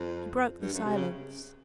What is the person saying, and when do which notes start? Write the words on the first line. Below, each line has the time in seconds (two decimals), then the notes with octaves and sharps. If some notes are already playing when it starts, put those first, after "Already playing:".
She broke the silence.
Already playing: F2
0.61 G2
0.73 F#2
0.84 C3
0.96 C#3